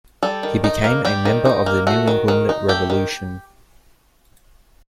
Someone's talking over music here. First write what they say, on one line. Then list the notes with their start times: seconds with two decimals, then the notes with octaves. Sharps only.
He became a member of the New England Revolution.
0.23 G3 A4
0.43 D#3
0.64 D#4
0.84 A#3
1.05 G3 G4
1.25 D#3
1.45 D#4
1.66 A#3
1.87 A3 F#4
2.08 D#3
2.28 D#3
2.49 D#4
2.69 A3 G4
2.90 D#3